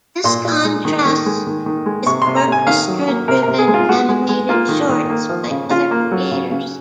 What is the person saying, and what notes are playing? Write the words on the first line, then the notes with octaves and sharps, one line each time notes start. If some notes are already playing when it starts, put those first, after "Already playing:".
This contrasts with orchestra-driven animated shorts by other creators.
A#2 C6
A#2
G#3
D#3
D#3
G#3
D#3
D#3
G#3
C3 C#6
C6
C3
A#5
C3 G#5
D#3 F5
F#3
A#3
C3 A#4
C3 A#4
G#4
G#3
F4
G#3 F#4
G#3
G#3
A#3 F4
D#3
D#3
A#3
F3
C#3
C#3 F4
A#3
F#3
C#3
C#3